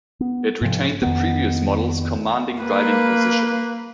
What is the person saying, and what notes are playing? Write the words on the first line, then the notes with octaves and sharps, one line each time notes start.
It retained the previous model's commanding driving position.
B3
G#2 C3 F3
F2 D#3 B3
A#3 B4